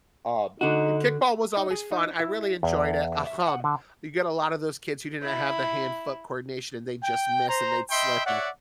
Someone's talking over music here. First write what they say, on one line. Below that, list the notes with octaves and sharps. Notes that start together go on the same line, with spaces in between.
Um, and kickball was always fun, I really enjoyed it, um, you get a lotta those kids who didn't have the hand-foot coordination and they just miss and they'd slip and
D3 D#4 F#4
D#4
G#4
D#4
E4
E2
E5
F#5
D3
E4
G5
C5 A#5
D#5 E5 G5 B5 C6
C#5 D5 E5 F#5